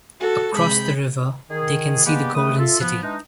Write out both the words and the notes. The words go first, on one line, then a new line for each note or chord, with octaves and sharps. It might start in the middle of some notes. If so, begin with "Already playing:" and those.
Across the river, they can see the golden city.
F#4 A4
C3 G#3 B5 G6
D#3 G#4
G#3 A#3 B3 D4 G4 B4
D#2 D#3 A3 B4 D#6
F4 A4 E5
F3 B3
E3 G#3 D4 D#4